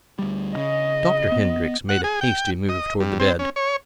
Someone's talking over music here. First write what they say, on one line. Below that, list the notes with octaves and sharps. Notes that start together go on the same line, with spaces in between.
Dr. Hendrix made a hasty move toward the bed.
D2 G3
C#3 D#5
B3
F#5
G#4
G5
D#5
G2
C4
C#4
C#5